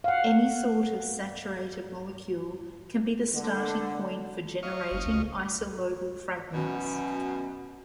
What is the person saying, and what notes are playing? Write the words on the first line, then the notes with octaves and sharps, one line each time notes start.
Any sort of saturated molecule can be the starting point for generating isolobal fragments.
F5 F#5
D3
D#5 F5 C#6
F#1
C#2
F#2 B2